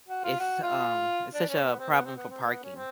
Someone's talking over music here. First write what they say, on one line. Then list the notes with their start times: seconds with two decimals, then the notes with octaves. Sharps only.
it's, um, it's such a problem for parking.
0.08 F#4
0.24 F4
0.39 F#4
0.63 F4
1.34 D4
1.49 C#4
1.65 B3
1.79 C4
1.91 B3
2.05 C4
2.16 B3
2.30 C4
2.43 B3
2.63 C#4
2.75 C4